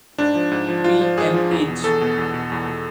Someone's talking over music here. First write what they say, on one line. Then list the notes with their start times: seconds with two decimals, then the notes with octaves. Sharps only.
B and H.
0.18 G#2 D4
0.35 F3
0.52 G#2
0.68 F3
0.84 G#2 F4
1.01 F3
1.18 G#2 G#4
1.34 F3
1.51 E2
1.68 B2
1.84 E2 A4
2.01 B2
2.18 E2
2.34 B2
2.52 E2
2.68 B2